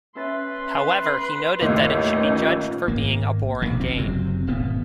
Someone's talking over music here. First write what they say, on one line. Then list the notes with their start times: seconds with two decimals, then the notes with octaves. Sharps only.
However, he noted that it should be judged for being a boring game.
0.16 C#4 B4 E5 C6 A6
1.61 G1 D#2 A2 D#4 F5
2.17 C#4 F4 B4
2.88 G#1 A#3
3.62 E1 A#1 C3
3.80 D2 C4
3.95 F#1 C3 F#3 C4
4.47 D1 G#1 B2 B3